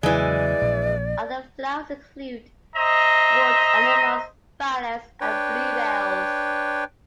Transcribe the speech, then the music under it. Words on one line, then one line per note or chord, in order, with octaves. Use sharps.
Other flowers include; wood anemones, violets and bluebells.
E2 C#3 E3 F#3 G#3 D5
A#1
C5 D#5 E5 A#5
D4 B4 C#5 G5